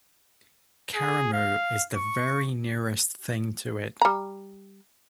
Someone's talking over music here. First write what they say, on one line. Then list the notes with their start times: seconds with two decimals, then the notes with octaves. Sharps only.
Karamu is the very nearest thing to it.
0.95 G#4
1.33 F5
1.96 C#6
4.01 G3 A#5